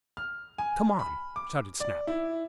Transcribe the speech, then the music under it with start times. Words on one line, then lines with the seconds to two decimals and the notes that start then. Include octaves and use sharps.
"Come on!" shouted Snap.
0.17 F6
0.58 G#5
0.99 B5
1.36 D6
1.80 D5
2.07 E4